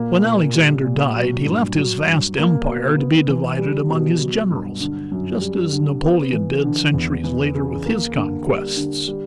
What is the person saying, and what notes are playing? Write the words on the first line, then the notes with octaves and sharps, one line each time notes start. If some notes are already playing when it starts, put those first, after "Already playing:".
When Alexander died he left his vast empire to be divided among his generals, just as Napoleon did centuries later with his conquests.
Already playing: A#2 A#3
A#2
G3
A#2
F#3
G2
F#3
G2
A#3
B2
B3
E3
G3
B2
F#3
G2
D3
F#2
G3
D3
B3
E3
D3
E2
E3
C#3
A#3
D3
G3
D3
G3